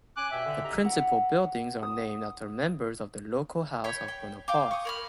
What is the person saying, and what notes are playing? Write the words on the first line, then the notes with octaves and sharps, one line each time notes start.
The principal buildings are named after members of the local House of Bonaparte.
C#4 G#5 D6 F#6
G2 B2 E5 G5
D3
D#4 G4 A#5
F#5
D#6
C#5 G5 B5
G5
F5 G5 D6
C#6 D#6
A#4 B5 F6